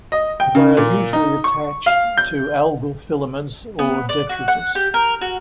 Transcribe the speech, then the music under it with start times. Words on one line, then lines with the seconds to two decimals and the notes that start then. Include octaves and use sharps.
They are usually attached to algal filaments or detritus.
0.12 D#5
0.40 G5
0.55 C#3
0.77 A#2
1.13 D#4
1.44 C#6
1.86 F5
2.17 G6
3.79 B3
4.09 D5
4.29 F#4
4.48 F#5
4.75 G4
4.94 A#4
5.21 F#4